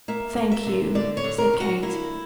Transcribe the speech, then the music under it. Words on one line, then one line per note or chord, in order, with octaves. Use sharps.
"Thank you," said Kate.
A#3 E5
A#3
E5
D3
D3 D5
C#5
D3
A#4
D3
F#4
A#3 E4